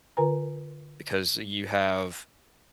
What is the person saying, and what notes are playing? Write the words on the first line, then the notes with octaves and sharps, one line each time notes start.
because you have
D3 F4 A#4 B4 G#5 A#5